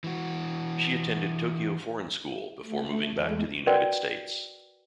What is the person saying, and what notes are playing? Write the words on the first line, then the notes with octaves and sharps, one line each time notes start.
She attended Tokyo Foreign School before moving back to the United States.
E3 F#4
A3
E2 G#3
F#4 A#4 B4 D5 F#5 G5